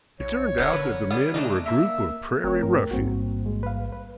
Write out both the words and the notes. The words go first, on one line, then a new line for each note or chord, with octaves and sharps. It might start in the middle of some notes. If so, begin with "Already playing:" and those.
It turned out that the men were a group of prairie ruffians.
B1 C#5
D#1 B3 A4 A#4
D3 B4
G3 B3 G#4
C#3 A3 D4 D#4
A#3 E5
F#1 A3 C4 A#4 C#5 G5
G2 A#4
A1 G#2 G3 A#3 C4 F#4
G#3
B4 F5
B4